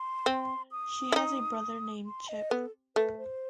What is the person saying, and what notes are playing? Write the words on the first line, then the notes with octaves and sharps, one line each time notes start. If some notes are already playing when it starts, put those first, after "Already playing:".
She has a brother named Chip.
Already playing: C6
C4
D#6
E4
D#4
C6
D#5
B3 A4
A3 B4
B4
C5